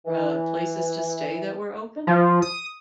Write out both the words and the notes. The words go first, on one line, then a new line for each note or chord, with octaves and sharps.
uh, places to stay that were open?
E3
F3
D#6